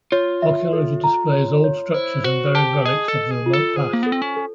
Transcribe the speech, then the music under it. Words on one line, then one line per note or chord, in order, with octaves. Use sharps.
Archaeology displays old structures and buried relics of the remote past.
F4 C#5
E5
A4
A#5
C#5
C#5
E4 C5
F#4 C5
G4 A5
G#4 D#5
A4
D#5
G#4
F4
A4
G#4 C5
A#3
B3 A4
C4
C#4
A4